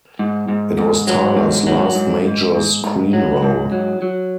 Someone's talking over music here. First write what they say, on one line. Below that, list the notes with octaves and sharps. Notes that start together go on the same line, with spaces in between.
It was Tyler's last major screen role.
G#2
G#2
G#2
F#3
G#2
F#3
G#2
G#2
G#2
G#2
F#3
G#2
F#3
F#3